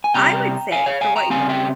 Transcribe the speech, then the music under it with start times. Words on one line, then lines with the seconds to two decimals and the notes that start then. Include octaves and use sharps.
I would say for what you're
0.04 G#5
0.14 C3 G3 C4 G5 A#5
0.72 F5 G#5
0.86 C#5 F5
1.01 F5 G#5
1.16 G5 A#5
1.30 C#3 G3 C4 F5 G#5
1.49 E5 G5